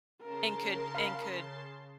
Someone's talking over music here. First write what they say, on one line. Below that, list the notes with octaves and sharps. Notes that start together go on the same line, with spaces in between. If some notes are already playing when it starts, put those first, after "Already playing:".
could and could
C#3 A#4 A5 C6
F5 B5